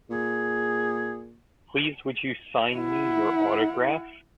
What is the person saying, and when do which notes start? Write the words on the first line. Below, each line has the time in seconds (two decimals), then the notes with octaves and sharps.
Please would you sign me your autograph?
0.10 A#2 G#4
2.76 E4 F#5